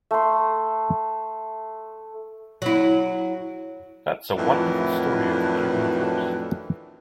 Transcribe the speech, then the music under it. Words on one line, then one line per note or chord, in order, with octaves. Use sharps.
That's a wonderful story of the Cuban coast.
A3 C6
F#3 E4
F2 A2 D#3 E3 F#3 D4